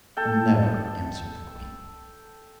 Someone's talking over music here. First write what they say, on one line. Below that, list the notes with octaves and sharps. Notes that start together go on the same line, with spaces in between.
"Never," answered the Queen.
A4 G5